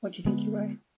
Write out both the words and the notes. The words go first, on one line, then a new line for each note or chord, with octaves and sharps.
What do you think you weigh?
D3 G#3 B3